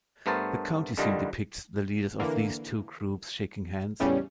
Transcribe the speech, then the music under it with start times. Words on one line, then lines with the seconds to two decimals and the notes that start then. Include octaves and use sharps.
The county seal depicts the leaders of these two groups shaking hands.
0.26 G2 A3 B3 A#4 C5 A5
0.97 C2 D3 D#3 G3 F4 D#5
2.19 D3 E3 A#3
4.00 E2 A2 C#3 G3 C#4